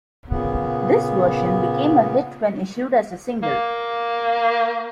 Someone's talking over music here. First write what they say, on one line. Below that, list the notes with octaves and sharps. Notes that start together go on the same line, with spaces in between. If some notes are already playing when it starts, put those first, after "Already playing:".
This version became a hit when issued as a single.
A#2 C#3 B3
A#3